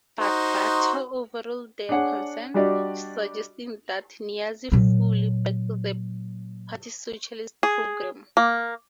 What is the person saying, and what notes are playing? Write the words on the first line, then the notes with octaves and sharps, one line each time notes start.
But Bhutto overruled their concerns, suggesting that Niazi fully backed the party's socialist programme.
D#4 F#4 C5
D4 G#4 C#5 F#5
G3 D4 F#4 G4 D5 D#5
A#2 F#3
G#4
A#3